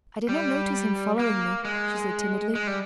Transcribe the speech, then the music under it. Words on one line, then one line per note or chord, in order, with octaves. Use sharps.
"I did not notice him following me," she said timidly.
G3
A#3
G#3
G#3
G3